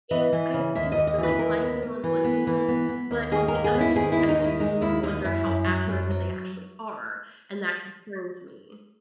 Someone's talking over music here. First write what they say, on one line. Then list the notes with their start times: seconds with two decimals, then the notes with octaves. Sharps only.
and I do, really, like them on one hand, but on the other hand, I do wonder how accurate that they actually are, and that concerns me.
0.11 E3 D#5
0.32 E3
0.54 C#3
0.75 D#2 E5
0.92 D#2 D#5
1.07 D#5
1.18 E3 B4
1.39 D#2 A#4
1.61 B3
1.82 B3
2.04 E3
2.24 B3
2.47 E3
2.68 B3
2.89 B3
3.11 D#2
3.31 D#3 G#4
3.48 D#2 A#4
3.64 G#4
3.75 B3
3.80 E4
3.96 D#3 G#4
4.12 E4
4.17 D#2
4.28 D#4
4.39 D#3
4.44 E4
4.60 G#3 D#4
4.81 D#2 E4
5.03 D#2 D#4
5.24 F#2 E4
5.46 F#2
5.67 F#3
5.88 F#2
6.11 F#3